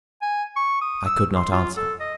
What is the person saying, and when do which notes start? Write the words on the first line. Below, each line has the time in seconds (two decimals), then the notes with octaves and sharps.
I could not answer.
0.22 G#5
0.56 C#6
0.81 D#6
1.06 E6
1.36 C6
1.52 F4
1.76 A4
2.00 D#5